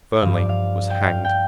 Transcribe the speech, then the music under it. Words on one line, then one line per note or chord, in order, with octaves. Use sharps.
Fernley was hanged.
G2 F3 F5
D5
F5
G5
F5
G5